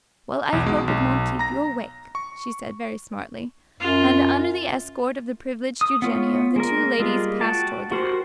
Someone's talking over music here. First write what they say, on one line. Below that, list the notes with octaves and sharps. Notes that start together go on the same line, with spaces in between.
"Well, I hope it won't keep you awake!" she said very smartly; and, under the escort of the privileged Eugenio, the two ladies passed toward the house.
B1 E2
B2 G#3
B1
A#5 A#6
C#6
F#2 F4
D#6
B3 F4 C#5
G#3 A#3 A#4
G3 G#3 A#3 F4
F#4 G5 A5
F#4 G4 A#4 C5